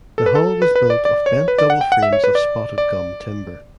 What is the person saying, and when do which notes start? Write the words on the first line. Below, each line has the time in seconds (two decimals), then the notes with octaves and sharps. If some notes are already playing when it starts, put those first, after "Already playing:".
The hull was built of bent double frames of spotted gum timber.
0.18 A4
0.26 B4
0.35 A4
0.62 B4
0.76 B4
0.90 D5
1.05 D5
1.26 C#5
1.48 B4
1.58 D5
1.70 F#5
1.81 G5
1.92 F#5
2.03 E5
2.13 C#5
2.24 B4
2.35 D5
2.78 D5